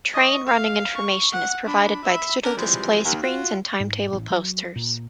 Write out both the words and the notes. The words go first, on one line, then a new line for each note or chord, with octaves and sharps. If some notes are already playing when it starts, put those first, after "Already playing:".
Train running information is provided by digital display screens and timetable posters.
D#5 C#6
F5
C#6
F#5
D4 B5
E5 B5
A#3 C#4 D4 A#4
C3 E3 F3 G3 G#3
D#2
F4 F#4
G#2
A1
F#3
A#2